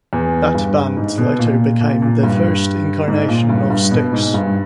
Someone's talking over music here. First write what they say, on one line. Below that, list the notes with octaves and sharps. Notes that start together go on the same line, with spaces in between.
That band later became the first incarnation of Styx.
E2
G2
G#2
B2
A#2
A#2
A#2
G2
G#2
A#2
G2
G2
B2
G#2
G2